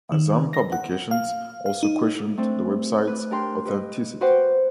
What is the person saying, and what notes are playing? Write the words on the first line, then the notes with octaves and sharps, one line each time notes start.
Azzam Publications also questioned the website's authenticity.
D#3
A#6
F#5
F5
F5
D#4
A3 C4 D4
B4
D4 G4 A#4 G5 C6
G4 B4 D#5
F#4 B4 C5 F#5 G5 D6